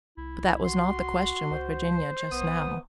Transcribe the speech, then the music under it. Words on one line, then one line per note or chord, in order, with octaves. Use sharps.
But that was not the question with Virginia just now.
C2 E4
F#4 C6
C#2 C5
B1 B3 D#6